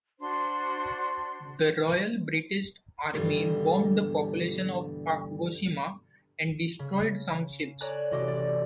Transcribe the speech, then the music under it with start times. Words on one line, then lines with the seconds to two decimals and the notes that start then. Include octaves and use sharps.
The Royal British Army bombed the population of Kagoshima and destroyed some ships.
0.19 D4 F#4 C5 C6
3.13 G2 B2 D3 E3 G3
6.79 C#3
7.81 A4 C#5 D5 G#5 A#5 F#6
8.11 A1 C3 F#4 D#5 D6
8.28 D5